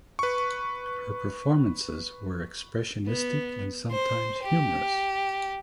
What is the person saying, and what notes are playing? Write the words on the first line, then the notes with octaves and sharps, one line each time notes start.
Her performances were expressionistic and sometimes humorous.
B4 C#6
B3
C5
G4